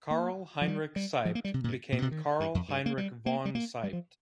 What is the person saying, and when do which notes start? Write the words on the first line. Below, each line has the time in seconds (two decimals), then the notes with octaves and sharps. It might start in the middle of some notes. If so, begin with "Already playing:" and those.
Karl Heinrich Seibt became Karl Heinrich von Seibt.
0.11 A#3
0.61 F3
0.68 G3
0.96 G3
1.25 F3
1.35 A#3
1.44 G3
1.54 C3
1.64 A#2
1.68 G2
1.92 A#2
2.02 C3
2.11 D#3
2.40 G2
2.55 F2
2.69 G2
2.86 A#3
2.98 G3
3.26 A#3
3.45 G3
3.55 A#3
3.83 G3
3.93 F3